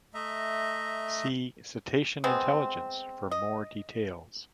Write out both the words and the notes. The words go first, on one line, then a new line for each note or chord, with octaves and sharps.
See cetacean intelligence for more details.
A3 D#5 E5 A#5
G#3 B3 C4
D#5